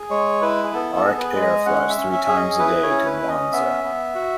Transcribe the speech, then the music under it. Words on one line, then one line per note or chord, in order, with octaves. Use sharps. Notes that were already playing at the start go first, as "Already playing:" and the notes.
Auric Air flies three times a day to Mwanza.
Already playing: G#4
G#3 C#5
E4 B4
G#4
B3 A4
A4
G#4
B4
G#3
D#5
C#4 F#5
E5
C#4
E5
G#4
D#5
E4 B4
C#5
C#4
B4
C#4
D#5
B3 E5
B3
F#4